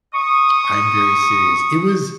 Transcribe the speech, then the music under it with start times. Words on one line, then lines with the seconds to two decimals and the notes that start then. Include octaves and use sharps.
I'm very serious. It was
0.14 C#6 D#6